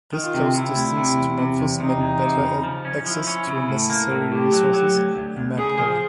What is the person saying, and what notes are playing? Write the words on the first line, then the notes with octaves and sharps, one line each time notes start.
This close distance to Memphis meant better access to necessary resources and manpower.
D#3
F4
C3
C3 E4
D2
C3
E2
C3
E2
C3 D#4
E2
C3
C#3
F3
C#4
F3 E4
C#4
C#3
A2
A#3
A2
A2 G4
F#3
F#3
D2
D2
D2
C#3 G#4
F3